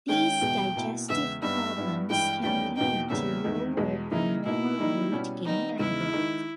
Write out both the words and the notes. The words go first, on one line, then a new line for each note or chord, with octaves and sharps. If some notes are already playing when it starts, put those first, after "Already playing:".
These digestive problems can lead to lower than normal weight gain and growth.
D#3 G#3 C#4 G5
E2 B2 G#3
B2 A#3 E4
E2 C#3 G#3 B3 E5
G2 G3 B3 D#4 E5
G2 G3 B3 E4
G2 E3 G#3 G5
E2 D#3 G3 C#4 G5
E2 B2 A#3 D#4 G5
E2 C#3 G3 A#3 C#4 E5
E2 D#3 G#3
E2 B2 G#3
C#3 E3 A#3 D#4 E4
B2 A#3 D#4 E4
D#3 G3 A#3 D#4
B2 G3 C#4
D#3 G3 B3 D#4
E2 C#3 G#3 D#4 E4
D#3 G#3 D#4